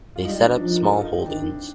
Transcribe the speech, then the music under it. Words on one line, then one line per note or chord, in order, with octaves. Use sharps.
They set up smallholdings.
F4
G3 D#4
D4
F3 D4
D#4
A#4
A4
F4
D#4
C4
D#3 D4